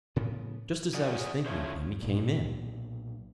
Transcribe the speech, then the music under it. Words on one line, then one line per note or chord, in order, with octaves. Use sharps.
Just as I was thinking of him he came in.
A2 C#3 F3 B3
G#4 D5 F#5 G#5
C#3 F3 A3 C#4 E4 C5
B1 A#2